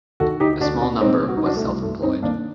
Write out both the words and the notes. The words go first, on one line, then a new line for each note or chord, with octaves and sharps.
A small number was self-employed.
D#3 F#4 A4
D2 D#4 G4
D2 D4 F#4
C3 D4 F#4
A#2 C4 D#4
C2
F#4
D#4
C2 D4 F#4
A3
C2
G2 A3
G2 C4 D#4
D#3 A#3 D4